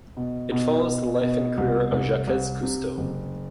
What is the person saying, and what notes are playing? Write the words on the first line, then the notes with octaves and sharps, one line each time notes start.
It follows the life and career of Jacques Cousteau.
B2
B2
B2
B2
C2
C2
C2
C3
F#1